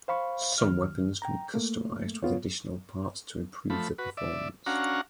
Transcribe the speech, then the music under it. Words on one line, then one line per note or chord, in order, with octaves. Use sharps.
Some weapons can be customized with additional parts to improve their performance.
C5 F5 B5 C#6
D#2 F6
G5 A#5
A3 A#3
B3 F4 C#5
F3 A3 B5
F#4 B4
D5 E5
C#4 D4 F#4 F5 F#5 A#5